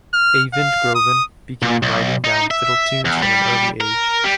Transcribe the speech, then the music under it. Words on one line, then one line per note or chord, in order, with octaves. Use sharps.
Eivind Groven began writing down fiddle tunes from an early age.
F6
F5
D#6
A#2
B1
D#4
E5
E2
G3
A#4
G3